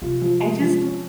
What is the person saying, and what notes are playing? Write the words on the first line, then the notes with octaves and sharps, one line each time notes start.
I just
C3 F4
F3
G#3
F3
C#4